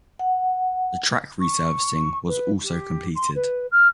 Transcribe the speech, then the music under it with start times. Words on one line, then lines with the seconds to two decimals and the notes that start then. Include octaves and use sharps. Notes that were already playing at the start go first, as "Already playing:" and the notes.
The track resurfacing was also completed.
0.19 F#5
1.40 C#6
2.28 B4
2.63 G4
3.15 C6
3.35 B4
3.71 F6